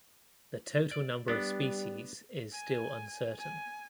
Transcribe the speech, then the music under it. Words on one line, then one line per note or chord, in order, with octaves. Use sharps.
The total number of species is still uncertain.
D5
G3 B3 D4
G#5
G#5